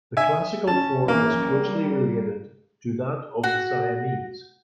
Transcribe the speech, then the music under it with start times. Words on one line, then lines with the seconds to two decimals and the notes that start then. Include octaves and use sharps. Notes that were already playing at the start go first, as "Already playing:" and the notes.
The classical form is closely related to that of the Siamese.
0.17 E5 G#5
0.67 C#4 A5
1.08 E3 A#3 C#4
1.43 G3
3.43 F#4